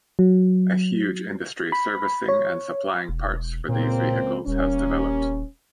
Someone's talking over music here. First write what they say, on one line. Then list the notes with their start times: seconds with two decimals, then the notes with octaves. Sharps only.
A huge industry servicing and supplying parts for these vehicles has developed.
0.19 F#3
1.72 B5
2.29 C#5
3.09 E1
3.69 C#2 A#2 A#3 C4
4.47 D#1 G3 A#3 C#4